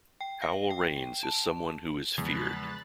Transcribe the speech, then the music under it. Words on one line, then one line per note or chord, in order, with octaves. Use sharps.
Howell Raines is someone who is feared.
G5
F5
G5
A5
E2 C#3 F3 G#3 B5 F#6 A6